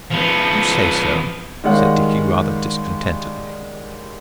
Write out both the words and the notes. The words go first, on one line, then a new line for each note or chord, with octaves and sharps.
"If you say so," said Dickie rather discontentedly.
F3 B3
D#3 G3 G#3 C#5 F5 F#5